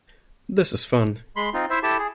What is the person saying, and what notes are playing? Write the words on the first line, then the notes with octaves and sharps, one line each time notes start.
This is fun!
G#3 B5 C6
C4 D#4 F4
E4 C5 E5
E4 G4 A4 A5
G#4